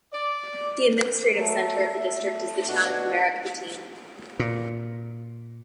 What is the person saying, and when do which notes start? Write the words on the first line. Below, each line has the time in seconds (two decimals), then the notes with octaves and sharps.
The administrative centre of the district is the town of Merak Batin.
0.12 D5
1.34 F#3 A3
1.93 E5
2.20 A3
2.67 B2 D4 F#4
4.39 A#2